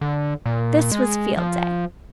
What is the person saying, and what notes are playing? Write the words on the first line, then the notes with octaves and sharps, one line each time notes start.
This was Field Day.
D3
A#2
G#3
F3